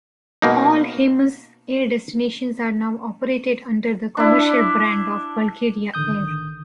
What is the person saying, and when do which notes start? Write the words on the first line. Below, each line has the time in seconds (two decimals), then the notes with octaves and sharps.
All Hemus Air destinations are now operated under the commercial brand of Bulgaria Air.
0.42 B2 A#3 D#4
4.17 D4 E4
5.94 A1 D3 D#3 D#6 G6